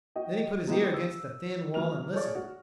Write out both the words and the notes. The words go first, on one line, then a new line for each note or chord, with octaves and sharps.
Then he put his ear against the thin wall and listened.
F#4 D#5 G5
F#3 G#3 A#3 B3 D#4 G4
E6
F#3 F6 F7
G#4 A4 C#5 D5
F#4